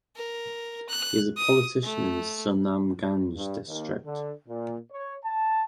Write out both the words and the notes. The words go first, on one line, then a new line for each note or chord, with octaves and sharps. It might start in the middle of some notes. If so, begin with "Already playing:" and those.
He is Politician in Sunamganj District.
A#4
F#6
D#6
A3
G2
D#2
D3
A#2
C#5
A5